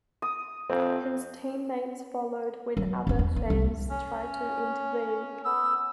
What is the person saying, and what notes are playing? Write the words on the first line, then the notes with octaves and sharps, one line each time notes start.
His teammates followed when other fans tried to intervene.
D#6
F2 C4
F#3
G2 C#4
E2
A#3
C2
C#4
B3 E6